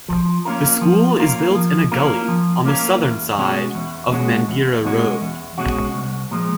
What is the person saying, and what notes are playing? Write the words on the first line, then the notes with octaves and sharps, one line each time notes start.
The school is built in a gully on the southern side of Mangere Road.
F3
A#3 C#4 F4 A#4
F3
A#3 C#4 F4 A#4
F3
A#3 C#4 F4 A#4
F3
A#3 C#4 F4 A#4
E2
B2 G#3 C#4 F#4
E2
B2 G#3 C#4 F#4
E2
B2 G#3 C#4 F#4
E2
B2 G#3 C#4 F#4
C2
A#2 F3 G#3